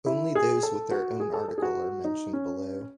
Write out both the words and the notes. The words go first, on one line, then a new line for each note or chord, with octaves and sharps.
Only those with their own article are mentioned below.
E4
G#4
A4
F#4
G#4
A4
A4
G#4
F#4
D#4
C#4